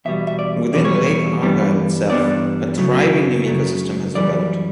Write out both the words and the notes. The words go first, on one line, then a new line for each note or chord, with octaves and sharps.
Within Lake Argyle itself a thriving new eco-system has developed.
E2 B2 G3 E5
E5
D5
E2 B2 G3 D5
C#5
B4
C#5
G2 E3 G3 B3 D4
G2 E3 G3 B3 D4 D5
F#2 C#3 F#3 A3
F#2 C#3 F#3 A3
F#2 E3 G3 D5